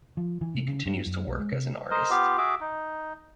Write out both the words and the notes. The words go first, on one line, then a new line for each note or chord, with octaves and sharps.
He continues to work as an artist.
F3
E3
C3
C#3
G2
F#2
B1
G#3
C3
A#4 C5 D#5
B3 F4 G4 F5
F#4 G#4 E5 D6
D#4